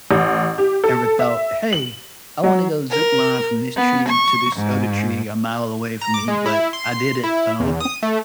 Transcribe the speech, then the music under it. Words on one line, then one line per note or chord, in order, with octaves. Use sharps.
ever, thought, "Hey, I wanna go zipline from this tree to this other tree a mile away from me," but I did it, um
A1
G4
A4
E5
F#7
F#3
A#4
B3
C#6
G#2
A#5
D6
G#3
E4
C6
E4
E2
D#6
A3